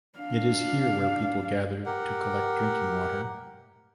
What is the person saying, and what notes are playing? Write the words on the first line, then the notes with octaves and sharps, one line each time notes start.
It is here where people gathered to collect drinking water.
D4 F5
G4 A#4 F#5